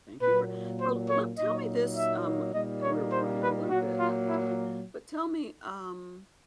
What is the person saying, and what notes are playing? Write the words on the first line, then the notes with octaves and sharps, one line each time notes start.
Thank you for So, look tell me this, um we're running a little bit out of time but tell me, um,
A#2 F#3 A#3 B4
C5
C#5
A#2 F#3 A#3 D#4 D#5
E5
A#2 G3 A#3 D#4 D#5
C#5
C5
B4
A#2 F#3 A#3 F#4
F4
E4